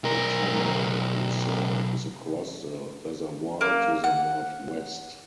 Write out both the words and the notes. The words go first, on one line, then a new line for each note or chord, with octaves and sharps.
The Tamarack Resort is across the reservoir to the northwest.
B1 A#4
A#3
F#5